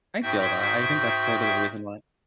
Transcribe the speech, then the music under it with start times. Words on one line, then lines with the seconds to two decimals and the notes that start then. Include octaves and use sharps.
I feel that. I think that's sorta the reason why
0.22 G#2 F#4 E5 G5 G6